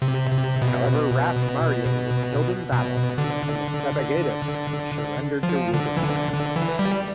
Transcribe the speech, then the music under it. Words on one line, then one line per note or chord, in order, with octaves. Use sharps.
However, "Ras" Marye was killed in the battle, and Sebagadis surrendered to Wube.
C3
C3
B2
B2
D3
F3
D3
E3
D3
D3
E3
G3